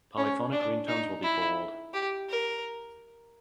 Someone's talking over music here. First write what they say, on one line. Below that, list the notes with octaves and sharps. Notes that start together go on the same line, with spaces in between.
Polyphonic ringtones will be Bold.
C#4
D4
D#4
E4
G4
A#4